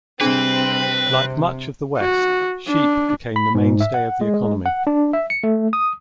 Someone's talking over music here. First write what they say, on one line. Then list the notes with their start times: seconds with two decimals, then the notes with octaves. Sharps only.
Like much of the west, sheep became the mainstay of the economy.
0.21 C3 G3 C4 D4 G#4 B4
1.07 C3 C5
1.98 F#4
2.68 D4
3.36 B5
3.55 G#2
3.81 E5
3.94 F#5
4.21 G#3
4.34 G#3
4.66 F#5
4.87 D4
5.13 E5
5.30 C#7
5.44 A3
5.73 D#6